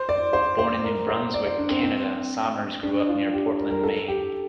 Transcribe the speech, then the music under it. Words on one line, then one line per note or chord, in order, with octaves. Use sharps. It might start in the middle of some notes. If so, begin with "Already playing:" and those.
Born in New Brunswick, Canada, Somers grew up near Portland, Maine.
Already playing: C5
D5
C5
C5
A#4
C5
D5
C5
D4
C4
C4
D4
F4
G4
A#4
A#4
A4
G4